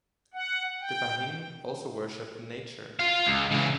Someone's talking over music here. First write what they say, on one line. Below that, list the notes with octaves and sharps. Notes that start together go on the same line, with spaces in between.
The Bahing also worship in Nature.
F#5
G5
F4 F5
C#2
C#3 E3